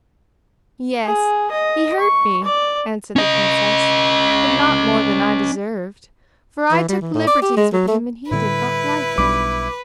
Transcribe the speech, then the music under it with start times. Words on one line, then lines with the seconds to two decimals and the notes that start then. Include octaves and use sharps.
"Yes, he hurt me," answered the princess, "but not more than I deserved, for I took liberties with him, and he did not like it."
1.05 G#4
1.51 D#5
2.00 C#6
2.44 D5
3.16 C#4 D#5
6.72 E3
6.89 G3
7.02 E3
7.14 A2
7.27 D5
7.42 G4
7.57 G#3
7.73 F#3
7.88 A3
8.31 A2 D3 G3 E4 B4
9.18 B1 G3 D4 D6